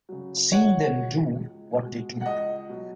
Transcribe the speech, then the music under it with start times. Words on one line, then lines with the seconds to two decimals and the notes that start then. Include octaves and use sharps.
Seeing them do what they do.
0.09 C#3 F#3
0.52 C#2 C#5 F#5
0.96 B2 G#3
1.39 C#2
1.82 B2 G#3
2.21 F#5
2.26 C#2 D#5
2.69 B2 F#3